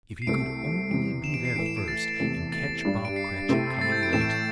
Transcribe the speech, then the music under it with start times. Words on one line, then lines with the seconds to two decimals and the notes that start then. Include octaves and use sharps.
If he could only be there first, and catch Bob Cratchit coming late!
0.22 C7
0.27 C2 C3 A3 D7
0.91 E2 C3 E3 D7
1.24 E7
1.34 D7
1.45 C7
1.56 A2 E3 A3 D7
1.66 E7
1.77 D7
1.88 A6
2.20 E2 C3 E3 A3
2.52 A6
2.85 G2 G3 D4
3.05 D7
3.16 C7
3.49 C3 A3 C4 E4
3.77 C7
3.81 A6
3.92 G6
4.03 D7
4.13 A2 E3 A3 E7
4.21 D7
4.30 A6